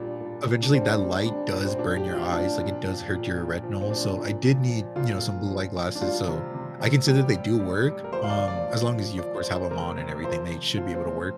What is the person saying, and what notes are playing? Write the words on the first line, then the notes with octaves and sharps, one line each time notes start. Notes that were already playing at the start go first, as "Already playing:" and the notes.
eventually, that light does burn your eyes, like, it does hurt your retinol, so I did need, you know, some blue-light glasses, so, I consider they do work, um, as long as you, of course, have them on and everything, they should be able to work-
Already playing: A#2 G3 D4
A#2
A#2
D4
G3 C4
G3
G3 D4
A#2
C4
A#2 D4
G4
F3
F4
F3 D4
A#2
F3
A#2
A#2
F3
C4
A#2 D4
A#2
A#2
F3
A#2 F4
A#2
F3
F3
D4
G3 F4
C3
C3
C3
G3 G4
G3
G3
G3
A#4
F3 C5
F5
D5
C3
D5
F3
F3
F3 D5
C5
F3
C5
C3 A#4
C3
F3 C5
C3
F3 F4
C4
F3